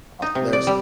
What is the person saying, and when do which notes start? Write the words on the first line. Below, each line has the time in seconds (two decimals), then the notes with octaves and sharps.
als there's
0.22 D#4
0.35 C3
0.53 D5
0.67 G3